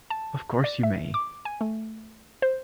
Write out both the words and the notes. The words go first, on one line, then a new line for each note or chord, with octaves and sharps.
Of course you may.
A5
D5
E5
D6
G#5
A3
C5